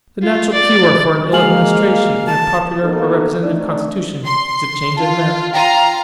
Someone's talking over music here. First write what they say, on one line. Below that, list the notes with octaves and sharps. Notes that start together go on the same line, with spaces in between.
The natural cure for an ill-administration, in a popular or representative constitution, is a change of men.
F4
D5
G#3 A#3 F#4 F5 G#5 F#7
A5
A#3 B3 D#4 F4 F#4 A4
A3 C4 D4 D#4 D5
C6
F4 A5
F4 F5 G5 A#5 D#7